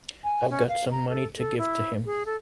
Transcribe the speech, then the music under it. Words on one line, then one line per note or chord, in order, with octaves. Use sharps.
I've got some money to give to him.
G#5
C#4
F5
A#5
A4
A4
E4
G#4
A4